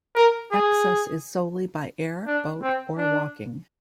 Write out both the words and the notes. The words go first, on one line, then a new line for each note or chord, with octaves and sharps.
Access is solely by air, boat or walking.
A#4
G#4
D4
C4
D4